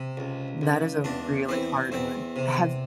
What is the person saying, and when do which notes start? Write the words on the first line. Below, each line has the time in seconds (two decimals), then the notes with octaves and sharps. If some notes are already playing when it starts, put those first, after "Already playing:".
That is a really hard one, have
Already playing: C3
0.17 C#2
0.61 C#2
1.04 E2 D4
1.49 E3 C4
1.92 E2 C4
2.36 C3